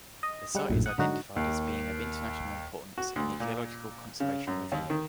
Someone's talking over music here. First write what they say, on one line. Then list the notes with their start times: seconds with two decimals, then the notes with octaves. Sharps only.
The site is identified as being of international importance in the Geological Conservation Review.
0.23 D#5
0.55 G3 G#3 F#5
0.69 A#1 F#2 A2
0.86 F#5 D#6
0.98 G#2 D3 F#3 D#4 F#4
1.36 D#2
2.98 F#4
3.16 D2
3.40 A#2
4.20 C#3
4.47 F#2
4.72 D#2
4.90 D#3